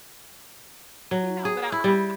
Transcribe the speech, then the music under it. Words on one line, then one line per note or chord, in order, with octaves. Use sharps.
You know, but I I'm
F#3
G#4
E4
G3